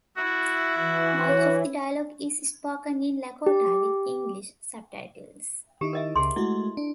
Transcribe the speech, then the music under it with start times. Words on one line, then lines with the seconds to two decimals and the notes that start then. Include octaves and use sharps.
Much of the dialogue is spoken in Lakota with English subtitles.
0.17 E4 F#4 E5
0.77 E3 F#4
1.29 C#5
3.46 G4
5.81 D#3 D#4 E4 G4
5.93 A#4 D#5 E5
6.16 C#2 C#3 G#4 C6
6.36 G#3 A3 E4 F#4
6.77 D4